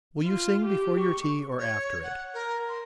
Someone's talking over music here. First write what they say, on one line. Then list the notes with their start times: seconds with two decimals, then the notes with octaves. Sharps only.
"Will you sing before your tea, or after it?"
0.24 F4
0.65 G4
1.00 C#6
1.59 C#5
2.04 F#5
2.34 A#4
2.69 C6